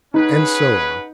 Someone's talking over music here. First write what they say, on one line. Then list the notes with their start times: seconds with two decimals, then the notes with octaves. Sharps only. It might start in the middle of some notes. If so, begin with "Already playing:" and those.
And so on.
0.14 C#4 D#4 G#4 B4 F#5